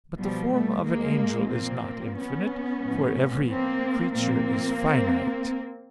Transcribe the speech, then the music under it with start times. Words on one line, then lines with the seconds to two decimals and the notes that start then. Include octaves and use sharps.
But the form of an angel is not infinite, for every creature is finite.
0.20 B2 F3 G3
0.52 G3 A3
0.85 G#3 A#3
1.52 A#2 F3 A#3 C4
2.17 B3 C#4
2.83 A2 F3
3.49 A#3 C4
4.15 A#2 F3 A#3 C4